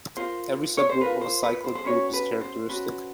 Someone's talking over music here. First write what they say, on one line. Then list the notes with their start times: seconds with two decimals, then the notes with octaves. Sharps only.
Every subgroup of a cyclic group is characteristic.
0.17 F4 A#4 C5
0.77 C#5
0.89 C5
1.01 F4 A#4 B4
1.21 C5
1.43 B4
1.64 C5
1.75 C5
1.84 C#4 F#4 B4 C#5
2.13 B4
2.41 C5
2.69 C#4 F#4 B4